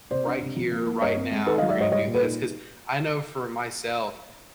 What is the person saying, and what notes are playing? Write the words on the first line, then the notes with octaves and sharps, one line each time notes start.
right here, right now, we're gonna do this," 'cause I know for myself,
C3 C5 D5
D4
C3
F3
A#3
A#3
G2 C#5 D#5
C4
G#3
D#3 A4 B4
D#5 F5
F#3
D5 E5
G#2 C#5 D#5
G3 C#5 D#5
A#2
A4 B4
D#4